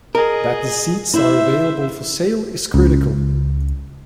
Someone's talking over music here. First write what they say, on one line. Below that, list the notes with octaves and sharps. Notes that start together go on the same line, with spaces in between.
That the seats are available for sale is critical.
G#4 A#4 D#5
E4 C5 E5
C#2